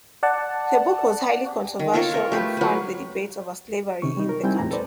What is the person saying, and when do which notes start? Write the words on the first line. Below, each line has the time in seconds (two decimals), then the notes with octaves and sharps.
The book was highly controversial and fanned the debate over slavery in the country.
0.23 D5 F#5 A5
1.79 D#3
1.93 F4 A4 A#4 C#5
2.14 A#4 C#5
2.32 A3 G4 B4
2.57 F#3 B4
4.02 C3 D#3 C#4 C#6
4.17 G3 D#4
4.29 A#4
4.44 G3 C4 D#4 E4 G5 G#5
4.59 E2 A2 A#5
4.71 A4 B4 C5 D5